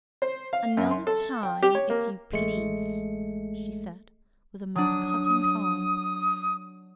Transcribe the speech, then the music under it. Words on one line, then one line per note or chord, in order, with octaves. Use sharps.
"Another time, if you please," she said, with a most cutting calm.
C5
F5
F#2
C6
A4
G5
G4
C#5
A#3
A1 G#3 A3 C#7
F#3 D4 D#6